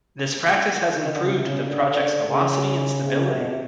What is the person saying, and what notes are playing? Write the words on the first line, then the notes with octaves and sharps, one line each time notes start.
This practice has improved the project's velocity and stability.
D#3
D3
C#3
C3
C#3
D3
D3
C#3
C3
C#3
C3
B2
C3